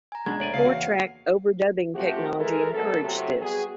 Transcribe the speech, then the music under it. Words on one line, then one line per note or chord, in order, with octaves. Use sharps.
Four-track overdubbing technology encouraged this.
G#5 A#5
B2 G#3 D4 G#6
D2 C#5 D5 G#5
C#2 A#3 A4 F5 C7
E2 F#4
C3 F3 A3 F#4 G4
E3 G#3 A4 A#4
D2 B2 F#3 A4
A2 C3 F#3
G3 B3 F#4 G#4